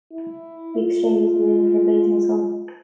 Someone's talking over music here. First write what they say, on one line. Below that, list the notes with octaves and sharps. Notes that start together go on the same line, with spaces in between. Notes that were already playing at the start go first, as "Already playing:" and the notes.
He exchanges the moon for the blazing sun.
E4
F4